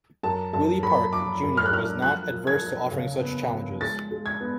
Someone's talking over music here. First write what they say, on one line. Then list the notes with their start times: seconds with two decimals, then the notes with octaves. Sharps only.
Willie Park, Junior was not adverse to offering such challenges.
0.23 F#2 A5
0.53 F#2 A5
0.83 F#2 B5
1.13 F3 D6
1.43 F#2
1.57 F6
1.66 F#6
1.72 F#2 F6
2.02 F3 F#6
2.32 F3
2.47 G#6
2.61 F3
2.91 C#3
3.21 B3
3.51 F3
3.81 G#3 A6
4.11 G#3
4.26 G#6
4.41 B3